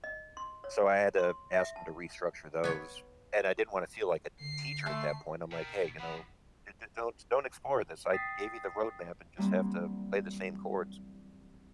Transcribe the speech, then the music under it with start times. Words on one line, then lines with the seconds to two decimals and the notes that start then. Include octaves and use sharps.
So I had to ask him to restructure those, and I didn't wanna feel like a teacher at that point, I'm like, "Hey, you know, d d don't ex don't explore this. I gave you the road map and just have to play the same chords,"
0.04 D#5
0.37 C6
0.64 C#5
1.19 C6
1.54 E5
1.76 A5
2.64 B3 C#5
4.40 D3 C7
4.86 A3 E5 A5 C6
5.51 B2 A#4 G5
5.99 C3 F3 B3 B4
8.14 G5 D#6 A6 B6 C7
9.37 E3 F#3 G3 A#3 C4 D4